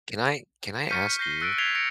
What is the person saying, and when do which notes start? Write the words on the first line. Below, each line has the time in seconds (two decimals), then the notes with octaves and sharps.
can I can I ask you,
0.89 C#6 F6 G6 B6 C#7 D#7
1.19 G6 A#6 C7 G7
1.41 E6 F#6 A6 C#7 D7
1.58 G#6 A6 B6 C7 F7 G7
1.75 A#6 C#7 D7 F7